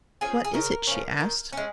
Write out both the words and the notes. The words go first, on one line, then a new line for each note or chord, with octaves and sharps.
"What is it?" she asked.
F3 C#4 G#4
G#4
C#3 A#4
F3 C#4
D#3
G#3 C#4